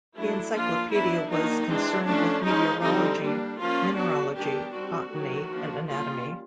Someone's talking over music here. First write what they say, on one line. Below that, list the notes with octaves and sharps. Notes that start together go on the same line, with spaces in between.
The encyclopedia was concerned with meteorology, mineralogy, botany, and anatomy.
F#3 A3 D4 E4
F3 A#3 D4 F4
F#3 B3 D4 E4
D#3 F#3 A#3 D4 D#4
E3 G#3 C4 D4
F3 A3 C#4 D4
F3 G#3 C#4 D#4
D3 G3 C4 D#4
G3 A#3 D4
F3 A#3 C#4 F4
F#3 B3 D4 F#4
D#3 G3 B3 D4 G4
G3 C4 F#4
D#3 F#3 A3
F3 A#3 D4
G3 A#3 C#4 F4